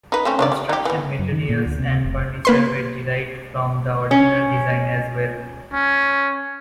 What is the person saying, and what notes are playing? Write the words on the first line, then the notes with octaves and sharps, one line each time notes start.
Construction materials and furniture were derived from the original design as well.
D#4 B4
A3 C4 C#4
D4 D#4 D5
G3
D#4 G4
E3 B3
F#2
D#3
A#2
D2
C3
F1
A#3 B4 C6
C#4
C#4